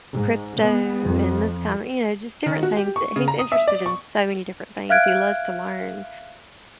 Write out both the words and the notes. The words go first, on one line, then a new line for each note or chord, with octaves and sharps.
crypto and this kinda you know, just different things that he's interested in, so many different things. He loves to learn.
G#2
B3
F2
D#3
F#4
G4
C#6
C#3
A#5
D#6
E5
D5
C#6
E5 F5 F6 F#6 G#6 D7